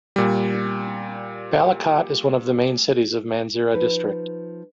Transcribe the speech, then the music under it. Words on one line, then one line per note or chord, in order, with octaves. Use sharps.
Balakot is one of the main cities of Mansehra District.
A#2 G3
F3 D#4 B4